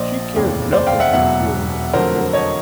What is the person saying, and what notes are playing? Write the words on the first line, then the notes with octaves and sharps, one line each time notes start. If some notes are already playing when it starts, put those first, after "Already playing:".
She cared nothing for the feelings of a ford.
Already playing: A#1 A#2 F3 C5 D5 D#5
F1 D#2 C#3 E3 G#3
C5 D5
F5 G5
E5 F#5
E1 E2 B2 F#3 E5 F#5
F2 D3 F#3 A3 A#4 C5
C#5 D#5